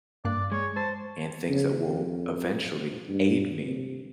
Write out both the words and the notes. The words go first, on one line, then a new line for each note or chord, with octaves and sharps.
and things that will eventually aid me,
G2 A#3 D5 F#6
G#3 C#5
C5 A5
C#3
F2
G2
C3